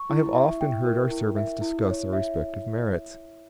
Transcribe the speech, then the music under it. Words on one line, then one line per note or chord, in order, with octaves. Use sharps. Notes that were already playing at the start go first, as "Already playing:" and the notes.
I have often heard our servants discuss our respective merits.
Already playing: C#6
E4
E5
G5
A#4
E4
E5
E4
C#5
E5